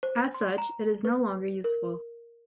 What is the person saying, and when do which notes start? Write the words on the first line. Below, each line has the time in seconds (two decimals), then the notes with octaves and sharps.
As such, it is no longer useful.
0.03 C5
0.34 C6
0.58 A#5
1.05 B4
1.64 A#4